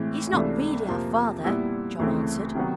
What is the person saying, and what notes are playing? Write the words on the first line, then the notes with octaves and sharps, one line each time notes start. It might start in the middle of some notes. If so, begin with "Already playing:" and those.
'He is not really our father,' John answered.
Already playing: A2 E3 G#3 C4
C#2 C3 E3 A3 D4
F2 C3 F3 A#3
A#2 G3 B3 E4
D2 C#3 E3 A3 C4
C3 D#3 F#3 B3